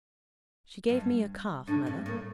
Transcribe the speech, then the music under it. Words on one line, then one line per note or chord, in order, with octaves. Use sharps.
'She gave me a calf, Mother.'
G2
A2 D4
G2 C4
A2 A#3